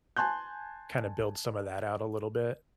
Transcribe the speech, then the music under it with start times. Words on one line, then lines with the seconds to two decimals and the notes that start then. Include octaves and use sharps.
kinda build some of that out a little bit.
0.17 G#5 A5 C6 F#6 G6